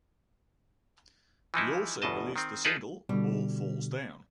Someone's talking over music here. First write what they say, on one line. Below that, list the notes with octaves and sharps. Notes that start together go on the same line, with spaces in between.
He also released the single "All Falls Down".
E3 F3 D#4 E4
G1 E2 B2 D#5 A5
D#3 C4
D#4 F4 G#4 A4 B4 D5
B2 D3 G3